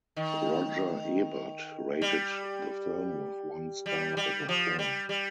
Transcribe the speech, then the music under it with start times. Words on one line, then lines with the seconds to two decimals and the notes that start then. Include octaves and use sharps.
Roger Ebert rated the film with one star out of four.
0.16 D#3
2.02 G3
3.86 G3
4.17 G3
4.49 F3
4.79 G3
5.09 G3